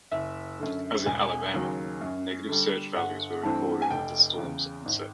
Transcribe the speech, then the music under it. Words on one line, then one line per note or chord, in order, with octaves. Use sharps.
As in Alabama, negative surge values were recorded at the storm's onset.
F#1 E5
F#2 D3
E1 G#5
D#2 C#3 F#3
F#2
D3 G3
G1 F#5
G2 E3 A3 C4
G#5
F1 G5
E2 C#3
G#1